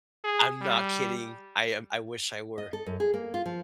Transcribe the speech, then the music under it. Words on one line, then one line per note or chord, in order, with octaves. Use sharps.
I'm not kidding. I am I wish I were.
G#4
G3
D#5
A4
F#2
G#4
A#3
F4
F3